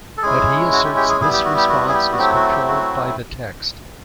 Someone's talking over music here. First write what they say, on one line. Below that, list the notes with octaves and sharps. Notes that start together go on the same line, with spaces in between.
But he asserts this response is controlled by the text.
A4
G#3 C#4 E4 G#4
F#4
G4
G4
G#4
G3 B3 E4 G#4
G4
F#4
G4
F#4
G#4
G4
F#4
F#3 A3 C4 E4 G4
F#4
G4
F#4